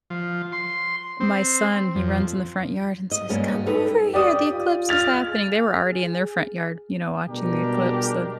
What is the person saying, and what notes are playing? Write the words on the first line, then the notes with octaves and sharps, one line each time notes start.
my son, he runs in the front yard and says, "Come over here, the eclipse is happening." They were already in their front yard, you know, watching the eclipse, so
F3
C6
C4
F2
D#5
G2 B2 G#3 A#3 C#4
D#4 G4 A4 B4
G4 D5 D#6
F4
F6 A6 F7
G#4
B2 G3 G#3 D4 G4 A#4